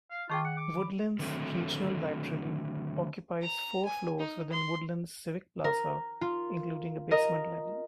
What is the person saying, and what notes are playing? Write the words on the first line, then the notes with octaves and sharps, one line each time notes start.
Woodlands Regional Library occupies four floors within Woodlands Civic Plaza including a basement level.
F5
D#3 F4 G#4 G5 A5 C#6 D6
F#5 C#7
D6
B5
D3 D#3 F#3 A3 C4
A#5
G#5
D#4
C6
A#4
F4
A#4 D#5